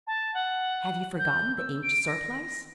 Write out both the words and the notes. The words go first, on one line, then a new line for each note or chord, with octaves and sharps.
"Have you forgotten the inked surplice?"
A5
F#5
G6
E6
D7
A#6